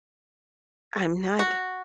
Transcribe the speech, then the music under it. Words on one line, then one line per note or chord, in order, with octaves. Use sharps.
I I'm not
F#4